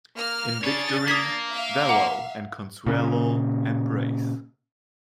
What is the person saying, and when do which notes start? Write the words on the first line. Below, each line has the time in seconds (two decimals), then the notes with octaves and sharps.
In victory Vallo and Consuelo embrace.
0.15 A#3 F6
0.64 D4 G#4 C#5 A6
1.08 A#3 D#6 G#6 B6
1.52 E5 F5
1.89 F#5 A#5 D6
2.87 A#2 C#3